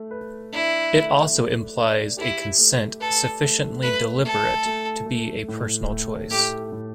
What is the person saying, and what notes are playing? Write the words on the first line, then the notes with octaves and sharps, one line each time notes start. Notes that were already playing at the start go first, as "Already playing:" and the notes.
It also implies a consent sufficiently deliberate to be a personal choice.
Already playing: A3
B4
D4 E4
A3
A3
D5
E4 G4
A3
A4 B4
A3
A3 B4
A3 A4
A3
A3
A2
A3
A3 G4
A2